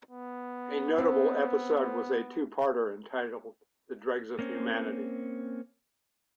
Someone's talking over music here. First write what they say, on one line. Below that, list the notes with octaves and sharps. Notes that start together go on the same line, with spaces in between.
A notable episode was a two-parter entitled "The Dregs of Humanity".
B3
C4
A#3 C4 C#4